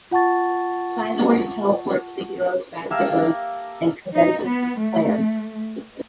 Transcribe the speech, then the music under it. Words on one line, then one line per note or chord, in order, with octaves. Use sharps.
Cyborg teleports the heroes back to Earth and commences his plan.
F4 F#5 A5 C#6 A6
A#3 G4 A4 A#4 E5 F5
D#4
B3
A3